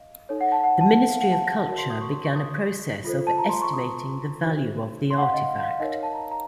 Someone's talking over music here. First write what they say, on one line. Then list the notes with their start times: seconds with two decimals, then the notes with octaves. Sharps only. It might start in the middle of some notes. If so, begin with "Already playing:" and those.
The Ministry of Culture began a process of estimating the value of the artefact.
Already playing: D#5 F5
0.29 D#4 A4 C#5
0.41 F#5
0.52 A5
0.64 F#5
0.81 A5
1.09 F5
1.21 F#5
1.32 A5
1.50 A5
1.66 F#4 A#4 C#5 A5
1.78 C6
1.90 D#6
2.01 C#6
2.12 C6
2.24 C#6
2.36 D#6
3.04 F4 A4 C5
3.27 A5
3.38 A#5
3.49 C6
3.62 C#6
3.73 D#6
4.41 D#4 F#4 C5
5.11 C6
5.18 F#5
5.22 F5
5.34 D#5
5.45 F5
5.63 F5
5.80 D#4 A#4 C#5 D#5
5.90 F5
6.03 A5
6.14 A#5
6.32 A#5